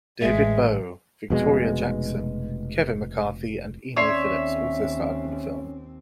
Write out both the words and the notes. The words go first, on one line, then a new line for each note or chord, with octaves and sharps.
David Bowe, Victoria Jackson, Kevin McCarthy, and Emo Philips also starred in the film.
A1 G#3 E5
F1 B2 G#3
D#2 C4 C#4 C#5 D5 E5 C6 C7